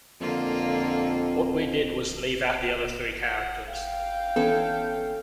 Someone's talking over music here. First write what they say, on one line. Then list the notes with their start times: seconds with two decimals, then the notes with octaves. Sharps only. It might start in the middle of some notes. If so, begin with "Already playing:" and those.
What we did was leave out the other three characters.
0.21 F2 D3 A#3 F4
3.22 F#5
3.73 F5 G5
4.36 E3 B3 C#4 A4